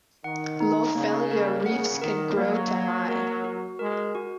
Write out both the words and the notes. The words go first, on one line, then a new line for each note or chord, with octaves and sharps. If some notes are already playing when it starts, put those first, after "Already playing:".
"Lophelia" reefs can grow to high.
D#3 F#5
D#4
C#3 A#3
A#4
C#3 F#5
D#3 A#4
F#3 A#3
A#3
A#4
F#4
G#3 A#4
F#4